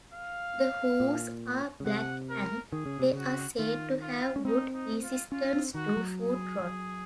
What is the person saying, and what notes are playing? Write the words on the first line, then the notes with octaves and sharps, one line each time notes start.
The hooves are black and they are said to have good resistance to footrot.
F5
A#2
C#3
C3 F#5
A#4
D#3 G#4
C#3
C3
C#3 F#4
D#3 F4
F4
C#4
C4 D#4
D#4
F4
C#4 F4
C4
D#3 F#4
G#3
F#3
G#4